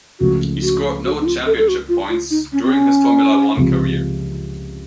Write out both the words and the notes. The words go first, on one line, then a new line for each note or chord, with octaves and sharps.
He scored no championship points during his Formula One career.
C#2 C#3 F3 A3 F#4
F#4
F#4
D#4
F4
A4
A4
F#4
F4
F4
D#4
C#4
C4
C#4
C#2 C3 F3